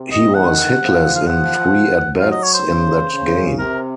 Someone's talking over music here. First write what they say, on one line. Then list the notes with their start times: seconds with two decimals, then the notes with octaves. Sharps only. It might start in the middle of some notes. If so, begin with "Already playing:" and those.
He was hitless in three at-bats in that game.
Already playing: C3
0.12 D#5
0.35 D#3 F#5
0.81 F3
1.16 F5
1.27 F#5
2.20 F#3 F5
2.31 D#5
2.43 C#5
2.54 C5
2.65 C#3
3.12 C#3
3.58 C3 A#4